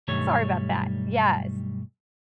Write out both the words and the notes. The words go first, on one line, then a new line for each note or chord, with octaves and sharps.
sorry about that, yes.
B1 G2 D#3 G3 A3 C#5